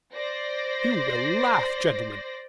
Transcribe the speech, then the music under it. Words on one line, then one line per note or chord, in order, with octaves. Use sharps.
You will laugh, gentlemen.
C5 D5 A#6